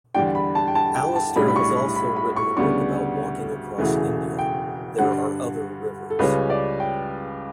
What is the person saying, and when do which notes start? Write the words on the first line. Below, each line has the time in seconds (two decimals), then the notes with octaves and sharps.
Alastair has also written a book about walking across India: "There Are Other Rivers".
0.15 E2 D3 G3 D4 G5
0.35 B5
0.55 A5
0.68 G5
0.75 A5
0.95 G5
1.16 A5
1.36 B1 A2 G3 D4 B5
1.48 B5
1.56 C#6
1.76 B5
1.96 B5
2.16 B5
2.36 C#6
2.57 D2 C#3 G3 B3 D4 C#6
3.78 E1 E2 C#3 E3 A3
4.39 G5
4.98 G2 D3 G3 F#5
6.10 A4
6.19 C#2 C#3 G3 C#4 B4
6.50 D5
6.80 G5